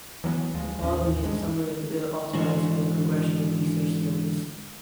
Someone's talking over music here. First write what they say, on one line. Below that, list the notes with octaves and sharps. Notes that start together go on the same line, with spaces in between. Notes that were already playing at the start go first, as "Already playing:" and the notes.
The following is the summary of the bill authorized by the Congressional Research Service.
E3 F#3 A#3 B3
D2 F3 G#3
A1 D#2 D#3 C#4
G2 G#3
G#2 D3 E3 F#4 C5 C#5